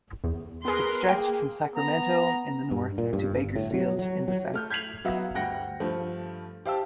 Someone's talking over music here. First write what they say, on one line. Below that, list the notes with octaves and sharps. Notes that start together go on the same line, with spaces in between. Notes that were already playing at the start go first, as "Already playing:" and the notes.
It stretched from Sacramento in the north to Bakersfield in the south.
E2
B3 G#4 A#4 B4 C6
A#3 G#4 G5
B3 A#5
G2
A#2
G2
G1
A2
F#3
F#3
F#3
A3 F6 G6
G6 G#6 B6 C7 F7 F#7
F#3 B3 F#4 E5 F5
D2 G2 D3 F#5 G5 A#6
G2 F3 A3
G4 C5 F5 G5 A5 E6